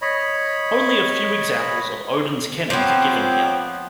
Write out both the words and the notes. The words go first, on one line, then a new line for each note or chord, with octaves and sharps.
Only a few examples of Odin's kennings are given here.
C#5 D#5 B5
F3 B3 C4 C5 C#5 G5 D6